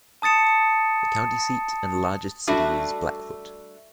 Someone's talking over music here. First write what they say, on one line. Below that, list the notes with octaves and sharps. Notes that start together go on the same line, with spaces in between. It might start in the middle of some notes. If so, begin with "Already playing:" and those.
The county seat and largest city is Blackfoot.
A5 D#6 A6 C#7 E7
G3 A3 D4 F#4 A4 E5